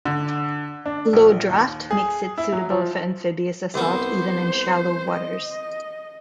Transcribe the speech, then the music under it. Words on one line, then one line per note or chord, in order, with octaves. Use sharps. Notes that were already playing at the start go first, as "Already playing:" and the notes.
Low draft makes it suitable for amphibious assault even in shallow waters.
D3
D4
A#1
D#2
G#4
E4
F#3
F3
C2 B3 C5
D#5